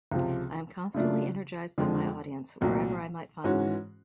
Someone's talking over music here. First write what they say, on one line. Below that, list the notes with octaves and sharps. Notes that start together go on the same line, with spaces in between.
I am constantly energized by my audience - wherever I might find them.
C#2 C3 F3
C#3 F#3 A3 D4 F4
F2 D3 F3 G#3
C2 A#2 F#3 A3
G#2 E3 G#3 C#4 F#4